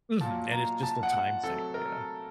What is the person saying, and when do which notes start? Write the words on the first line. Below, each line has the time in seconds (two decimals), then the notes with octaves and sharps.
Mhm, and it's just a time thing. Yeah.
0.21 A#2 F#3 A#3 A5
0.52 A#5
0.83 A5
1.03 F#5
1.44 C3 F#3 A3 A4
1.74 A#4